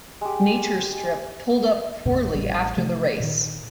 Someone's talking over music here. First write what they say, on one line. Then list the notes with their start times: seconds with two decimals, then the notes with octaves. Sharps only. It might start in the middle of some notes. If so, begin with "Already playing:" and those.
Nature Strip pulled up poorly after the race.
0.21 G#3 G4
2.06 A1 F2 A#2 C#3
2.35 A1 G3
2.77 C3 F3 A3
3.20 A#2 D#3